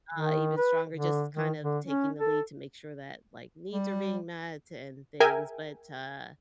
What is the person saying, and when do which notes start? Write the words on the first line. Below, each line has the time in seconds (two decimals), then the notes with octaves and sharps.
uh, even stronger, just kind of taking the lead to make sure that, like, needs are being met and things, but, uh,
0.14 D#3
0.58 B4
0.92 D3
1.34 D#3
1.62 D3
1.85 C#4
2.19 A4
3.72 G3
5.20 G#4 A#4 E5 G5 G#5